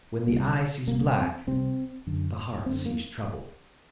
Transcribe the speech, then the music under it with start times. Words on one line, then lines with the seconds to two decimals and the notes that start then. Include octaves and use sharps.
When the eye sees black, the heart sees trouble.
0.28 C2 C3
0.87 C2 C3 A#3
1.17 C4
1.47 C2 C3 C4
2.07 F#2 D3
2.66 F#2 C4
2.69 D3
2.86 A#3